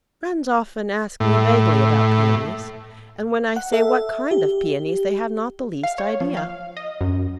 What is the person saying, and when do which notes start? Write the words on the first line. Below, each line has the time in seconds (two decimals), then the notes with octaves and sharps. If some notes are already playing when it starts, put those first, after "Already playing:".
Friends often ask me vaguely about Paeonies, and when I say, "What kind of Paeonies?" they have not the least idea.
1.20 A2
3.56 F#5
3.72 A4 E5
4.31 G4
5.83 F5
5.98 C#5
6.21 F3
6.37 F5
6.77 D#5
7.01 F#2